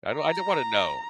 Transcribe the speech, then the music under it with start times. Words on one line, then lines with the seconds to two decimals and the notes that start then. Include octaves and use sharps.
I don't I don't wanna know.
0.16 A#5